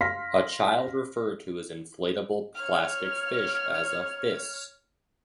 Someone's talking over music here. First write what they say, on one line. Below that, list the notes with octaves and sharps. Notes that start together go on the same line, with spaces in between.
A child referred to his inflatable plastic fish as a "fis".
F5 C6 F6 A#6 B6
C#5 F6